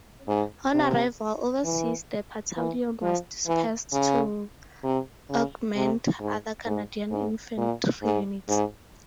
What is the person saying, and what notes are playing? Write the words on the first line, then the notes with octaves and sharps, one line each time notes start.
On arrival overseas the battalion was dispersed to augment other Canadian infantry units.
G#2
C3
E3
E3
F3
E3
C#3
C3
C#3
C3
G#2
G#2
G#2
A#2
G#2
G#2